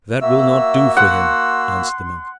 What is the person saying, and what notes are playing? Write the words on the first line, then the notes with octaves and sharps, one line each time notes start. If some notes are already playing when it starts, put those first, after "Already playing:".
"That will not do for him," answered the monk.
A#3 F#4 E5 E6
F#5 C6